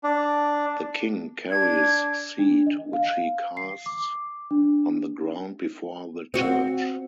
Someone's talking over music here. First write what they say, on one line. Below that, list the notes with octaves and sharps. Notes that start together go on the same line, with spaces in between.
The king carries seed which he casts on the ground before the church.
D4
D4 G#6
D4
D#5
F5
C7
D6
D4
C4 F#4